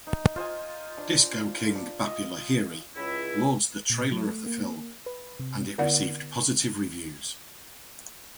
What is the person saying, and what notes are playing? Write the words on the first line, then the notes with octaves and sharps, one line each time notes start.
Disco king Bappi Lahiri lauds the Trailer of film and it received positive reviews.
D#4
F4 C5 D#5 G#5
D4
D4
D#5
C#2 E4
A#2
F#3
A3
A#3
B4
C3
D3 B3 E4 D5 F#5